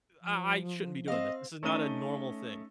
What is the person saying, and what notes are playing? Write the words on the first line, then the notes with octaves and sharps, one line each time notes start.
I I shouldn't be doing this, this is not a normal thing,
F3
C4 D#5 F5
A3 C#4 D#4 E5 D#7 G7